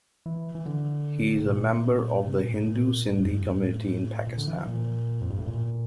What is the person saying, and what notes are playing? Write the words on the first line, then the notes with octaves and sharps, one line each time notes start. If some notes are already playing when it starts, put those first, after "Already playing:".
He is a member of the Hindu Sindhi community in Pakistan.
E3
E3
D3
A2
A#2
C3
A#2
A2
A#2
A2
G2
F2
G2
A2
A#2
D3
E3
F3
A#2
F2
G2
A2
A#2